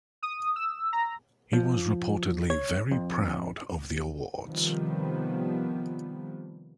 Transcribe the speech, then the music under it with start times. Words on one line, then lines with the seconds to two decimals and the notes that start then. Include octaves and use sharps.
He was reportedly very proud of the awards.
0.23 D#6
0.56 E6
0.93 A#5
1.53 F3
2.50 C#5
2.91 F2
4.43 C3 D#3 F3 G3 B3